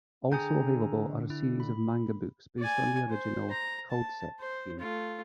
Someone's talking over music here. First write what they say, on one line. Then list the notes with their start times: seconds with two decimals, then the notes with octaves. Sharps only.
Also available are a series of manga books based on the original "Culdcept" game.
0.32 D3 G#4 G5 G#5 A#5 G6
1.30 E4
1.60 B5
2.59 D5 G#5
3.10 C5
3.51 A#5
3.90 A5
4.40 C5
4.79 A3 F4